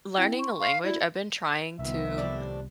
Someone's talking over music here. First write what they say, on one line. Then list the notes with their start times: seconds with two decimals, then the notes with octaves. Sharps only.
learning a language, I've been trying to
0.16 C4 E4 G5
0.39 C6 C#6
0.60 F5
0.84 E4 F#4 D5
1.79 C2 D#3 F3 B3 E5
2.18 A2 C3 D4